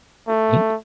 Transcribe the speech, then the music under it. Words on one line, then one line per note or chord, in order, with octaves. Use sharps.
You think.
A3